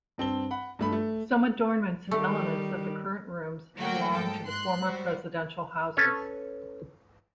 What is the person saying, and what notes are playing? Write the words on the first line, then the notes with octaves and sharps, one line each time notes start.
Some adornments and elements of the current rooms belonged to the former presidential houses.
G2 C4 A5 G7
F#5 B5
G2 A3 B5
A3
D#3 G3 A3
D3 F#3 A3 A#3 F#4 G5
G#2 A4 G5
G#2 C6 F#6
G3 F#4 C5
C#4 A4 B4 C#5